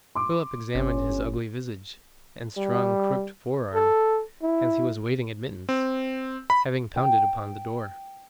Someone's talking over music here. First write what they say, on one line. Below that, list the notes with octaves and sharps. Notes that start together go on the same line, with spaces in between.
Philip examined his ugly visage and strong crooked fore-arm, as he was waiting admittance, having pounded upon the door.
C6 D6
G1 C#4
G3
A4
E4
C4
B5
G5